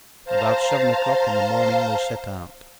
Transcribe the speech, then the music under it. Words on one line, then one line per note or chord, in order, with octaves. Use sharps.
About seven o'clock in the morning they set out.
C5 F5 A5 A#5